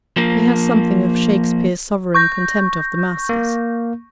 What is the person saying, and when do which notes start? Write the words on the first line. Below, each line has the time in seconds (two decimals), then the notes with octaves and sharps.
He has something of Shakespeare's sovereign contempt of the masses.
0.17 F3 A#3
2.14 C#6 G6 A#6
3.29 A#3